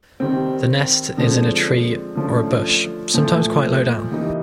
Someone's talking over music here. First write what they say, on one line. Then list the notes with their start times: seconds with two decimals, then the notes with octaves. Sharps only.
The nest is in a tree or a bush, sometimes quite low down.
0.20 D#3 G3 C4
1.17 D3 F3 G#3 C4
2.16 D3 F3 A3 C#4
3.13 A#2 F3 A3
4.12 E3 G3 A#3 D#4